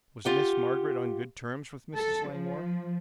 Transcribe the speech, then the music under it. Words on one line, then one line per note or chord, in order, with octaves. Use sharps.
"Was Miss Margaret on good terms with Mrs. Langmore?"
F4 G4 F#5
A4
F3